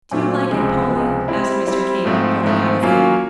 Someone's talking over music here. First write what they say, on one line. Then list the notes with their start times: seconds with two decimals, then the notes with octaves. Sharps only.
"Do you like it, Polly?" asked Mr. King, holding out his hand.
0.11 A#2 F#3 A3 C4 F4
0.51 C#2 C3 F3 G#3
0.88 C#2 C3 F3 G#3
1.28 G3 C4 E4
1.67 G3 C4 E4
2.05 G#2 F3 A3 C4
2.44 G#2 F3 A3 C4
2.82 F#3 A#3 C#4 F4